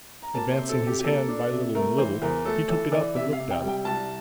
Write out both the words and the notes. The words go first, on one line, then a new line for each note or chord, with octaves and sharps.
Advancing his hand by little and little, he took it up and looked at it.
A#5
A#3 A5
C5
C3
A4
C3
G4
G4
A#3 A4
D4
C3
A3 A#4
E3 C5
E2 A#4
A3 A4
E3 A4
E3 D5
C3 E5
F5
C3
G5
G3
G5
C2 A5